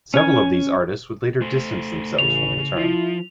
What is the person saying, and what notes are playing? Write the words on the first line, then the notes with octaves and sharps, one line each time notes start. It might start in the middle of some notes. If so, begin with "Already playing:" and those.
Several of these artists would later distance themselves from the term.
C#4 G#5
A3 C5
A1 C#3 F7
F3 E4 F4